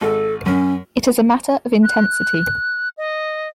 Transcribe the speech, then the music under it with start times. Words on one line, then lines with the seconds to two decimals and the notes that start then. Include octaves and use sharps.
It is a matter of intensity.
0.01 G#1 A4
0.46 F#2 C#4
1.83 F#6
2.97 D#5